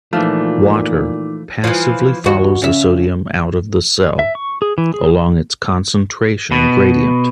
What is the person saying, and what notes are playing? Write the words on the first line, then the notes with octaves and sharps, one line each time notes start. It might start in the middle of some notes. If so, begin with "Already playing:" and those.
Water passively follows the sodium out of the cell along its concentration gradient.
A#2 E3 F3 A3 D#4 D6
E3 F3
D#2 F#4
C#3 E5
E5
C#6
G#4
E3
G#4
B2